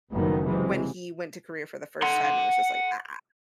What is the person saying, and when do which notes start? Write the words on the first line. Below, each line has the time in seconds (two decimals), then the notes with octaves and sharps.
when he went to Korea for the first time, I was just like, "Ah."
0.12 F#1 F2 A2 D#3 B3
0.45 C3 E3 F#3 G#3
2.03 F#5 C6